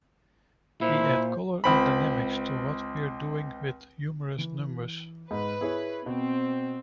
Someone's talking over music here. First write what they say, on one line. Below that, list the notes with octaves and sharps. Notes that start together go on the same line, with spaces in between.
We add color and dynamics to what we're doing with humorous numbers.
A#2 E4 C5
C#2 C4 B5
E3
G#2 B4
E4 G#4 C#5
B2 C4